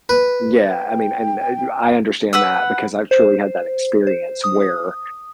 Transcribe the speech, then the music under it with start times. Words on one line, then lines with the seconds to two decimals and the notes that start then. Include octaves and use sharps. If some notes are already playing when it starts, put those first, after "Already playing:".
Yeah, I mean, and, uh, you I understand that because I've truly had that experience where,
0.09 B4
0.69 G5
2.33 B4 F#5 E6
3.11 C5
4.07 C5
4.44 D#6